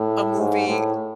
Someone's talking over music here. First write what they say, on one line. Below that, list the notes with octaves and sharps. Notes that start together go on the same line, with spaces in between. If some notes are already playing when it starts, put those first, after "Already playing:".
a movie
Already playing: A2
G#2
A2